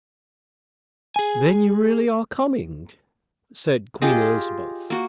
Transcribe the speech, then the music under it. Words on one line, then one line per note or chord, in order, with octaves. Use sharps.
"Then you really are coming?" said Queen Elizabeth.
G#4 G#5
F4 G4 G#4 D#5
A#3 F#4